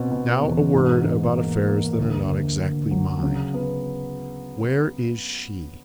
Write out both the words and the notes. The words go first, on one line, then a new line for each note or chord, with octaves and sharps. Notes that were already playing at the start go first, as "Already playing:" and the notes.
Now a word about affairs that are not exactly mine. Where is she?'
Already playing: B2 C4
B2
E2
G#2
G#2
A#3
A#3
D2
D2
D2
F#3
C#3
B3